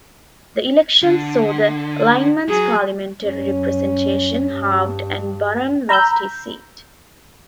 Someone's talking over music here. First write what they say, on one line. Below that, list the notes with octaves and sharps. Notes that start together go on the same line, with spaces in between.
The elections saw the Alignment's parliamentary representation halved, and Baram lost his seat.
D3
F#3 G#4
F#2 C#4
G2
A#5 B5 E6 G6